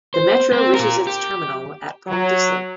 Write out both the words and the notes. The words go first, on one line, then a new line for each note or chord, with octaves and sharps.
The metro reaches its terminal at Pont de Sèvres.
C5
C4 C5
F4 A#4
G4
F#3